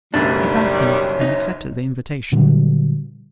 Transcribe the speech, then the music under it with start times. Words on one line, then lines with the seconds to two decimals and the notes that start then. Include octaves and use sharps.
He thanked me, and accepted the invitation.
0.14 F#1 B1 F#2 D#3 G3 A3 D4
0.76 C#5
1.21 D#4
2.32 A#2 D3 F#3 G3